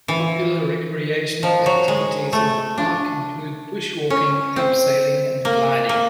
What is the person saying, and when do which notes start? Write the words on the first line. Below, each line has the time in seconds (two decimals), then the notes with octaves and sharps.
Popular recreational activities in the park include bushwalking, abseiling and gliding.
0.08 E3
1.43 F3
1.66 F#3
1.88 G#3
2.33 A3
2.78 D4
4.10 C#4
4.56 C4
5.45 A#3
5.89 A#3